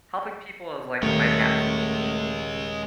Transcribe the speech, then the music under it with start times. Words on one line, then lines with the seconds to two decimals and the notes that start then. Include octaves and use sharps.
helping people is, like, my passion,
1.03 D#1 G#3 A3 A#4 C#5